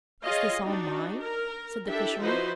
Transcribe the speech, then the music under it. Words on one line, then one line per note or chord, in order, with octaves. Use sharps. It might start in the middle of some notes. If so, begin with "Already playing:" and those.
"Is this all mine?" said the fisherman.
F4 G#4 C#5 D#5 F5
D4 D#4 F#4
A#4
D4 E4 G4 A4 E5
F3 D#4 E4 F#4 B4 C5